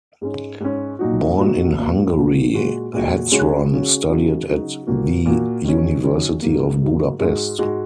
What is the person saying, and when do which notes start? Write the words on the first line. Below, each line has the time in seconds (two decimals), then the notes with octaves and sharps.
Born in Hungary, Hetzron studied at the University of Budapest.
0.21 G#2 G#3 C#4
0.60 G#2 G#3 C#4
0.99 A#2 F#3 D#4 F#4
1.38 A#2 F#3 D#4 F#4
1.77 A#2 A#3 F#4
2.15 A#2 A#3 F#4
2.54 A#2 G#3 F#4
2.93 A#2 G#3 F#4
3.32 C#3 G#3 C#4 F#4
3.71 C#3 G#3 C#4 F#4
4.09 C#3 F#3 D#4 F#4
4.49 C#3 F#3 D#4 F#4
4.87 A#2 A#3 F#4
5.26 A#2 A#3 F#4
5.64 D#3 F#3 C#4
6.04 D#3 F#3 C#4
6.42 G#2 F#3 A#3
6.81 G#2 F#3 A#3
7.20 G#2 G#3 F#4
7.59 G#2 G#3 F#4